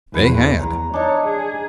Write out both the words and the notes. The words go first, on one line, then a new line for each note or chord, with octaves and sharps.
They had.
E2 B4
E2 A#5
D4 D#4 C#5
G#4